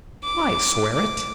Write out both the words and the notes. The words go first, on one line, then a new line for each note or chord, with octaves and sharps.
"I swear it."
D6
D6